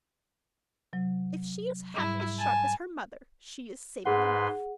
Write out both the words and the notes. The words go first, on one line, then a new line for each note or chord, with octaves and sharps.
If she is half as sharp as her mother, she is saving enough.
C3 F#3
G#2 G3 E4
G#5 A5
G#2 G#4 B4 F#5 C6